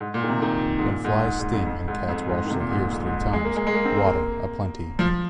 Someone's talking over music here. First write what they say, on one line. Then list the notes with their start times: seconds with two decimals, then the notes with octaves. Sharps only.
When flies sting and cats wash their ears three times, water aplenty.
0.01 G#2
0.14 A#2
0.23 D#3
0.28 C3
0.42 D#3
0.79 G#2
0.84 A#2
1.04 G#2
1.25 G#2
1.39 G#2
1.53 F2
1.67 F2
1.88 G#2
2.08 F2
2.29 G#2
2.45 D#3
2.50 C3
2.60 A#2
2.71 G#2
2.91 F2
3.06 G#2
3.33 G#3
3.45 A#3
3.56 G#3
3.67 G#3
3.75 A#3
3.85 C4
3.96 A#3
4.06 A#3
4.99 F3